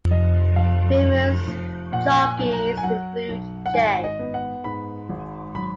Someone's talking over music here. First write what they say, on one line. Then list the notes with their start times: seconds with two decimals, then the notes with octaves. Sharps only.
Famous jockeys include J.
0.11 F1 D#5
0.56 F2 F5
1.02 F1
1.48 F3
1.92 A#2 F#5
2.12 F#5
2.22 G#5
2.38 B1
2.52 A#5
2.77 G#5
2.83 F#3 F#5
3.28 B1
3.66 F#5
3.74 G#1 G#5
4.04 D#5
4.19 B3
4.34 F#5
4.64 G#2 B5
5.09 G#1
5.55 F#3 B5